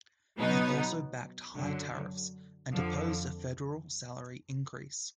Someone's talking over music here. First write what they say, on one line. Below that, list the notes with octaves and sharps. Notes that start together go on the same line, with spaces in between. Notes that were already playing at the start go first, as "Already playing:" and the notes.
He also backed high tariffs and opposed a federal salary increase.
B2 F#3 B3 D#4
F#2 D3 F#3
F2 D3 F3